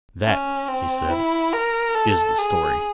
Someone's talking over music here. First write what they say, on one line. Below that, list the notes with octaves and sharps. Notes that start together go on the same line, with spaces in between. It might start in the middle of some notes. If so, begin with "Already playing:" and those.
"That," he said, "is the story."
C#4
C4
E4
A#4
A4
G#4